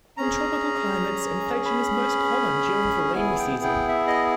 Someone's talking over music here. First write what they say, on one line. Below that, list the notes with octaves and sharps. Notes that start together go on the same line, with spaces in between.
In tropical climates, infection is most common during the rainy season.
C#4 G#4 A#5
B5
B3 E4 G#4 G#5
G5
G5
E5
D#5